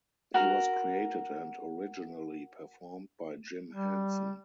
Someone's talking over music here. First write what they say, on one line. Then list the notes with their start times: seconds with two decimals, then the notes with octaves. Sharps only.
He was created and originally performed by Jim Henson.
0.34 F#4 A#4
3.71 G3